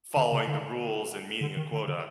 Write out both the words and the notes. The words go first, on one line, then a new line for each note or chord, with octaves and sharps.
following the rules and meeting a quota.
D3
C#3
D3
D3
D#3
D3
D3